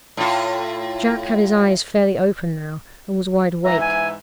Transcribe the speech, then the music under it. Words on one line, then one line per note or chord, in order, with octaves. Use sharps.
Jacques had his eyes fairly open now, and was wide awake.
A2 F4
G#2 E3 E5 A#5
G#5